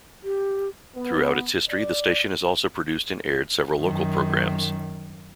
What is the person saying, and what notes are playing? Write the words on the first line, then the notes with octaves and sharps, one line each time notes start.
Throughout its history, the station has also produced and aired several local programs.
G4
B3
D5
F#2 D#3